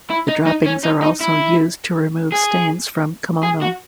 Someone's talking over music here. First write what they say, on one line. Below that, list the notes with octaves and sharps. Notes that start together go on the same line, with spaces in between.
The droppings are also used to remove stains from kimono.
E4
D#4
D#4
C#4
D#4
D#4
E4
G#4
G#4
F#4